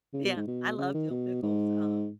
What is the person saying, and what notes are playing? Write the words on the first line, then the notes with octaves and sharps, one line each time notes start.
Yeah, I love dill pickles. Um,
C#3
B2
G#2
B2
C#3
D#3
B2
G#2